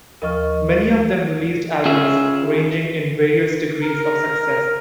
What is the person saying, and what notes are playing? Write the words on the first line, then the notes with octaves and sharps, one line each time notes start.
Many of them released albums, ranging in various degrees of success.
D#2 F3 A#4 D#5 C#6 F6
C#4 F4 G#4 E5
A#4